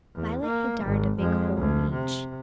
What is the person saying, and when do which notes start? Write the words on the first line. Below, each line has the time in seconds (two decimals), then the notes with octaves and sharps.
Violet had darned a big hole in each.
0.15 E2
0.45 A#3
0.85 G#1
1.20 F2 G#3
1.57 D2
1.94 C3